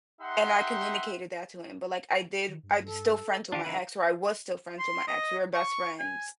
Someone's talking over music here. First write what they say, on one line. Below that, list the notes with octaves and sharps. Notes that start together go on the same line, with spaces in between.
and I communicated that to him. But, like, I did I'm still friends with my ex, or, I was still friends with my ex, we were best friends.
D#4 G4 E5 F#5 C6
D#3
G2
A4
D#3 D4 F4 G4
C#3 E3 D#4 E4 B4
C6
D#5
C#6
G#5